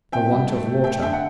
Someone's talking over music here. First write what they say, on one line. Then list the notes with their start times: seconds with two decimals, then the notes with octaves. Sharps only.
"The want of water."
0.12 C4 E5 G5
0.31 G2
0.48 A3
0.67 A3
0.84 A3 E5 G5
1.02 D3 E5 G5
1.13 F#5